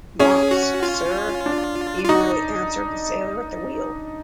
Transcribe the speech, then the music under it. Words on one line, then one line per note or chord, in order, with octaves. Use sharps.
Mops, sir, eagerly answered the sailor at the wheel.
C#4 G#4
F#4
F4
D4
F4
D#4 F#4